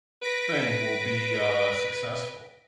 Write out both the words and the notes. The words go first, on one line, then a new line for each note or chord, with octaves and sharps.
thing will be, uh, successful?
B4 A#6 B6 D7